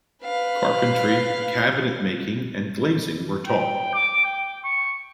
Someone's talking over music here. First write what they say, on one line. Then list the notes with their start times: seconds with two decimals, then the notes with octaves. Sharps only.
Carpentry, cabinet making, and glazing were taught.
0.23 B4 F5
3.46 G5
3.94 D6
4.24 G5
4.64 C#6